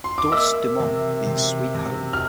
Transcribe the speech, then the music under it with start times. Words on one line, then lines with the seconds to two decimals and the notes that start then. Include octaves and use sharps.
'Dulce Domum' means 'Sweet Home'.
0.04 C6
0.18 D6
0.32 A#3 E5 E6
0.80 C3
1.27 C3
1.75 C3
2.13 F6